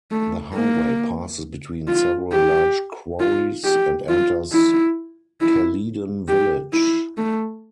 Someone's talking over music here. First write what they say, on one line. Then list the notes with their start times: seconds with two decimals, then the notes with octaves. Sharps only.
The highway passes between several large quarries and enters Caledon Village.
0.11 A3
0.55 A#3
1.88 F4
2.32 G4
3.20 F4
3.64 G4
4.09 F4
4.53 E4
5.41 E4
6.28 G4
6.73 E4
7.17 A3